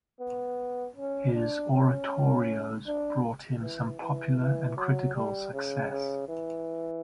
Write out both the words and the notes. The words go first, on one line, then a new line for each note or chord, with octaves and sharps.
His oratorios brought him some popular and critical success.
B3
C#4
D4
C#4
D4
E3
E3
E3
F#3
G3
C#3
C#3
E3